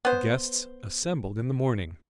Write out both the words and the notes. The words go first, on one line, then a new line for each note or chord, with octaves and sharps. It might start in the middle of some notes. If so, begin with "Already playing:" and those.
The guests assembled in the morning.
B3 C5